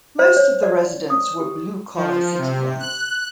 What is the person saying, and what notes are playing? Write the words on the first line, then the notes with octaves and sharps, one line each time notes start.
Most of the residents were blue collar citizens.
C5
C#5
D5
D#6
G4
F3
C3
F#6